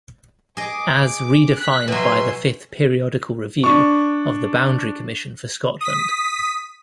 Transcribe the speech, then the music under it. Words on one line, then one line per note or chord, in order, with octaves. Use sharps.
As redefined by the Fifth Periodical Review of the Boundary Commission for Scotland.
G#4 D#5 D6
F#6 B6
B2 F#3 E5 G#5 C6
D4 C#6
D#6 B6